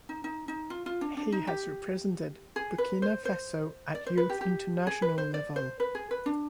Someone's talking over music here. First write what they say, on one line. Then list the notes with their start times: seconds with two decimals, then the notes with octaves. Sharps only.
He has represented Burkina Faso at youth international level.
0.09 D#4
0.24 D#4
0.48 D#4
0.70 F4
0.86 F4
1.01 D4
1.17 D4
1.32 D#4
1.47 G4
2.56 G#4
2.78 B4
3.02 C5
3.25 C5
3.95 D5
4.06 C5
4.17 B4
4.30 G4
4.41 G4
4.87 G#4
5.02 B4
5.18 C5
5.34 D5
5.56 C5
5.80 B4
5.95 G#4
6.11 B4
6.26 D4